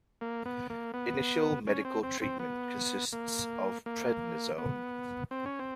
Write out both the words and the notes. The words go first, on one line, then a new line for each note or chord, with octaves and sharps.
Initial medical treatment consists of prednisone.
A#3
B3
A#3
B3
C#4
C4
C4
C4
B3
A#3
A#3
B3
C4
C#4
C4